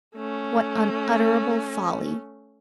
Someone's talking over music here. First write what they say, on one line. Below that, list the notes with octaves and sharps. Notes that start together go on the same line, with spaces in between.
What unutterable folly!
A3 C#4